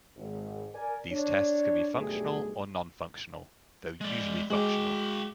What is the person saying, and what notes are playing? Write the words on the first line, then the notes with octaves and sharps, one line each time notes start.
These tests can be functional or non-functional, though usually functional.
G#1
A#4 D5 G#5
D4 C#5
B1 G2 G3 A3 G4 G#4
G#3 D5
G#3 F#4 G5 D6